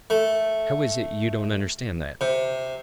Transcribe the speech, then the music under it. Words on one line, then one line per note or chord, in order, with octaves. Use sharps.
How is it you don't understand that?
A3
C3